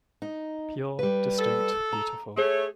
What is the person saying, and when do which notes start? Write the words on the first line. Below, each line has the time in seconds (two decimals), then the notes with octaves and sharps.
Pure, distinct, beautiful.
0.22 D#4
0.99 G3 B4
1.39 A4
1.93 A#5
2.37 A3 G#4 C#5